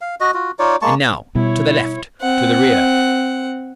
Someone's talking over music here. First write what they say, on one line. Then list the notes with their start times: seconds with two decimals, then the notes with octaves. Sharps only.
And now--to the left! to the rear!
0.01 F5
0.21 F#4 D#5
0.34 F4 F#4
0.59 D#4 F4 C#5 D5
0.82 G#3 A#3 A5 C#6
1.35 B2 G3 E4 C#5
2.22 C4 F#5